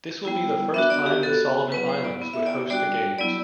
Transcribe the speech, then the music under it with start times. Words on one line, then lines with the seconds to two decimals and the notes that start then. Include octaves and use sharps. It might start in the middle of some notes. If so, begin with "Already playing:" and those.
This will be the first time the Solomon Islands would host the Games.
0.25 G3 B3 E4
0.74 B3 D4 F#4 E5
0.90 D5
1.06 G4
1.23 B3 F#4 A4
1.72 F#3 B3 E4 B4
1.89 C5
2.04 D5
2.21 B3 E4
2.34 E5
2.46 D5
2.70 G3 D4 F#4 D5
3.19 F#3 B3 E4 D5